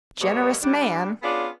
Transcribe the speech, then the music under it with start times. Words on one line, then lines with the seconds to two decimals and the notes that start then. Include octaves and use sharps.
"Generous man!"
0.21 G#2 B2 G3 A#3 C#5
0.62 G3 D4
1.23 B3 C#4 D4 F4 G#4